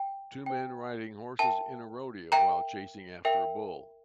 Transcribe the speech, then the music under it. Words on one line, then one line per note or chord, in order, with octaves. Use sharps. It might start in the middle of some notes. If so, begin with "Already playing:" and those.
Two men riding horses in a rodeo while chasing after a bull.
Already playing: G5
C5 G5
A#4 E5 G5 A5
A#4 E5 G5 A#5
A#4 E5 G5